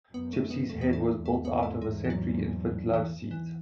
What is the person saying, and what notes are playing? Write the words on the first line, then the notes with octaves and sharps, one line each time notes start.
Gypsy's head was built out of a "Century Infant Love Seat".
F#2 B3
A3
B3
E2 A3
B3
A3
E2 G#2 A3
B3
A3
G#3
E3
F#3
E3
E3